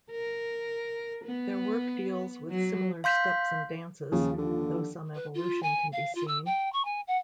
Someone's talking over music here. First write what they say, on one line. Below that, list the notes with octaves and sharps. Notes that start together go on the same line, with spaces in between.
Their work deals with similar steps and dances, though some evolution can be seen.
A#4
B3
F#3
F5 C6 G6 B6
D#2 C#3 F3
D3
B4
F4
G#5
F5
F4
E6
G5
C#6
G#5
F#5